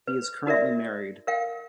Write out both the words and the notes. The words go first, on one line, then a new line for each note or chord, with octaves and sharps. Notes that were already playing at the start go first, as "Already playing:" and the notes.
He is currently married.
B4
D#4 F#4 A#4 D5 E5
A#4 F5 G5